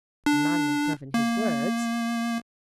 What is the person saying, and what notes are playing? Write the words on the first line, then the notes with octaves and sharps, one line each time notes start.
"A man may govern his words."
D4
A#3